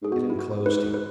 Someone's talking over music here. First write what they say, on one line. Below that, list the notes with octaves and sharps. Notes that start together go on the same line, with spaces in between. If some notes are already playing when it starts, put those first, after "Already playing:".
It inclosed him.
G#2 G#4
B2 F#4
E4
F#4
G#2 B4
B4